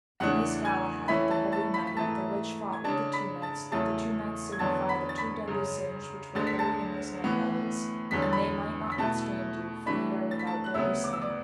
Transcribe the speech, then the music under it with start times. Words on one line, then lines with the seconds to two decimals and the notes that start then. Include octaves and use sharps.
And this Galahad, the holy knight, the which fought with the two knights, the two knights signify the two deadly sins which were wholly in this knight Melias; and they might not withstand you, for ye are without deadly sin.
0.20 E2 C#3 E3 A3 D4 F#5 F#6
0.65 G#5 G#6
1.08 A2 E3 A3 C#4 E4 B5 B6
1.30 A5 A6
1.52 A5 A6
1.74 B5 B6
1.87 B6
1.96 G#2 E3 A3 E4 A5 A6
2.73 G#6
2.84 C#3 G#3 D4 A5 A6
3.13 B5 B6
3.42 A5 A6
3.71 E2 C#3 F#3 A3 E4 A5 A6
4.52 G#6
4.59 E2 D3 F#3 B3 D4 A5 A6
4.89 B5 B6
5.09 A6
5.18 B5 B6
5.47 F#2 C#3 G#3
6.35 D2 D3 G#3 A6
6.47 B6
6.59 A5 A6
7.24 A2 E3 B3
8.11 E2 D3 F#3 B6
8.22 A6
8.33 B5 B6
8.92 B6
8.98 B2 A3 E4 A5 A6
9.86 A2 E3 A3 D4 B5 B6
10.31 A6
10.39 B6
10.47 A5 A6
10.64 F#6
10.74 D2 C#3 F#3 B3 E5 E6
11.04 D6
11.13 E6
11.22 D5 D6